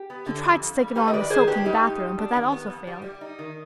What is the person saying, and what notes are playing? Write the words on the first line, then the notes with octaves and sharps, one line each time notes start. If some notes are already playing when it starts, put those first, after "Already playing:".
He tried to stick it on with soap from the bathroom, but that also failed.
Already playing: G4
B3
D3
F2
F2
G3
G3 G4 B4
D#5
D#3 B4 D5
D#3 G#4 C5
D4 G4 B4
G3 D#4 G4
G#2
G#2
D4
D#3
B3
F2
G3
G3
D#4
D#3